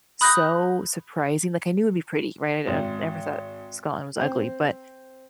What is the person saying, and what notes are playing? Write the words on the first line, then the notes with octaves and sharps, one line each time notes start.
so surprising, like, I knew it'd be pretty, right? I n never thought Scotland was ugly, but
B5 D#6 F#6 G6 A#6
G#1
C4